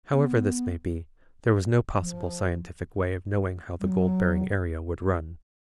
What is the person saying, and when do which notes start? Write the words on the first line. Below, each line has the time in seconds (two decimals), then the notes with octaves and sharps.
However this may be, there was no possible scientific way of knowing how the gold-bearing area would run.
0.10 B3
1.99 F3
3.80 G3
3.87 F#3